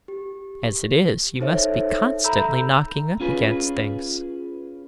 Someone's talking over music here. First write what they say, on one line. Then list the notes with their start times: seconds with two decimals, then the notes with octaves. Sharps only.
As it is, you must be constantly knocking up against things.'
0.08 G4
1.41 D#4 A4 C5 C#5 E5
2.24 A4 E5 A#5 B5 E6 G6
3.20 C#4 F4 G#4 B4